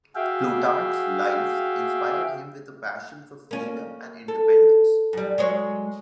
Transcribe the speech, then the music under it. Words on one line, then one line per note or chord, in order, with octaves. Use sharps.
Plutarch's "Lives" inspired him with a passion for freedom and independence.
F#4 G#4 E5 F5 G5
A#3 C#4
A4
F#2 G3
F#3 G#3 C#5